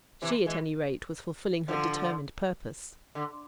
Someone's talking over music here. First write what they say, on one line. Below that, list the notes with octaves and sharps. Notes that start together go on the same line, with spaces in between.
She, at any rate, was fulfilling her determined purpose.
C3 E3
E3 G#3
D3 F3
D3